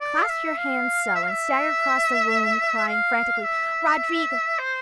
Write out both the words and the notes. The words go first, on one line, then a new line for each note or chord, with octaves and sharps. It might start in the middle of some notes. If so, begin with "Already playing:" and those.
Clasp your hands so, and stagger across the room, crying frantically, 'Roderigo!
D5
F5
E5
F5
E5
F5
E5
F5
E5
C5